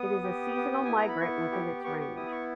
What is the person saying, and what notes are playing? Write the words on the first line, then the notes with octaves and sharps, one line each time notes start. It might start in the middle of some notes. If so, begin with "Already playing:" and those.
It is a seasonal migrant within its range.
Already playing: B3 D#6
G4
B3
G5
E4 G#5
A#5
B5
B3 C#6
G4
B3 C#6
C#6
E4 D#6
C#6